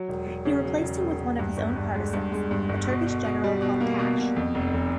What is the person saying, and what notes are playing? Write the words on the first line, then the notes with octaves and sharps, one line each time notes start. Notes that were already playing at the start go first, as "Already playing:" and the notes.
He replaced him with one of his own partisans, a Turkish general called Tash.
Already playing: F#3
E1
F#3
C#3
F#3
E1
E1
E1
G2
G1
G2
G#3
G2
G#3
G2
G1
B2
B2
B2
G3
B2
A#3
B2
B2
F2
F1
F1